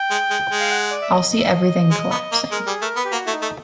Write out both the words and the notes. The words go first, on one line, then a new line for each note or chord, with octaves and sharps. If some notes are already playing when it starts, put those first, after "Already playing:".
I’ll see everything collapsing...
Already playing: G5
G#3
G#3
G#3
F5
F#5
D5
E5
D#5
D#5
E5
D#5
G#3
B3
A#3
G#3 A#4
G3 G#4
A3 A#4
B3 B4
G4
A#3 F#4
A3 E4
D#4
A3